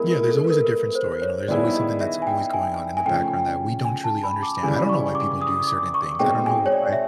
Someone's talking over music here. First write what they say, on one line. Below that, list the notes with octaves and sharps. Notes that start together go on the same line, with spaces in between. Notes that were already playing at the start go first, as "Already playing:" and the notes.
Yeah, there's always a different story, you know, there's always something that's always going on in the background that we don't truly understand. I don't know why people do certain things, I don't know why
Already playing: G#3 B3 E4 G#4 A#4
A#4
A4
B4
A#4
C5
C5
C#5
D#3 G3 B3 E4 G#4 D5
D#5
E5
G#5
G5
G#5
G#5
C#3 F3 A3 C#4 G5
G#5
A5
B5
D6
C#3 E3 G3 G#5
C#6
D6
D#6
D6
C#6
B2 G#3 C4 D#4 G#4 G5
G#5
C#5
D5
E5